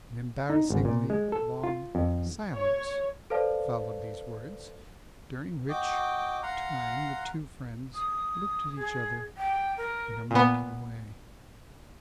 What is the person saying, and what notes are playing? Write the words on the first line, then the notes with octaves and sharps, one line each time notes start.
An embarrassingly long silence followed these words, during which time the two friends looked at each other in a mocking way.
D#4
G#1
A#2
G#3
A4
F4
F2
C#5
A4 B4 C5 D5 F5 A5
F#4 D#5 G5 D6
F5 F#5 A#5 C6
D#6
G#4
G5
A#4
A#2 B3